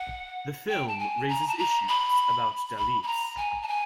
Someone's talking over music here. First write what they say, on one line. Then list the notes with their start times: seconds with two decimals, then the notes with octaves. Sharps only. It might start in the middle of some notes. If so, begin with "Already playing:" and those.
The film raises issues about Dalits.
Already playing: F#5
0.69 G5
0.87 A5
0.99 G#5
1.29 A#5
1.47 A5
1.58 A#5
1.88 B5
2.77 B5
3.02 B5
3.07 A#5
3.37 G#5
3.62 A5
3.68 G#5